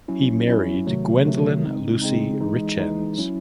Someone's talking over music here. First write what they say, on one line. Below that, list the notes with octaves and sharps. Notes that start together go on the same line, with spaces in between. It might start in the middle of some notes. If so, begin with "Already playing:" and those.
He married Gwendoline Lucy Richens.
F#3 C#4 E4
F#3 C#4 E4
C3 D#3 F#3 A3
C3 D#3 F#3 A3
C#3 G#3 C4 D#4
C#3 G#3 C4 D#4
E3 G#3 D#4
E3 G#3 D#4
F#3 C#4 E4